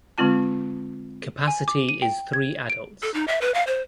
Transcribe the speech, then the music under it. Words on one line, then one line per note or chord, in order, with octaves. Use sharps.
Capacity is three adults.
D3 G#3 C4 F4 A5
G#5
D6
D#7
G5
G#6
D7
A4
D#4
E5
B4
F5
C5